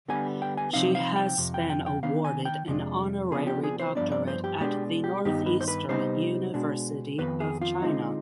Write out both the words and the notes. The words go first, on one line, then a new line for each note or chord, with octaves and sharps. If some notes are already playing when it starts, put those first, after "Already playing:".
She has been awarded an honorary doctorate at The Northeastern University of China.
D3 G3 B3 G#5
G5
G#5
C3 F3 C4 D#4 F5
F5
G5
F2 C3
G5
G5
G5
D#3 B3 D4 F5
G#5
G5
F2 C3 G#3 D4
C3 F3 B3 D4 G#4
G4
G#4
C5
G2 F3 B3 D4 D5
D5
C5
G4
B2 G#3 B3 D4 G4
G4
G2 D#3 B3 D#4 G4
B4
C5
B4
C3 G3 B3 D#4 C5
B2 G#3 D4
F2 D#3 B3 B4
G#4
F4
D3 G#3 C4 D#4